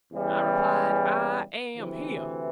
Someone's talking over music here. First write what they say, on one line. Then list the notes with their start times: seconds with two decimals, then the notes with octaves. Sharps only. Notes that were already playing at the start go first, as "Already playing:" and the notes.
I replied, "I am here."
0.11 E2 C#3 E3 G3
1.76 D2 C3 E3